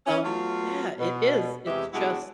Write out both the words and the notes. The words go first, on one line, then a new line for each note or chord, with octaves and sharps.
um yeah, it is, it's just,
C#4
F#3 A3 B3 F4
B2
E2 C3 E3 G#3 G4 E5
B2 G3 G#3 D4 E4 F#4